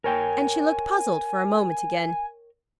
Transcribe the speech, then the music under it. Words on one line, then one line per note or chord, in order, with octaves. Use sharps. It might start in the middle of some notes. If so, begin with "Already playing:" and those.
And she looked puzzled for a moment again.
A#4 C#5 G5 G#5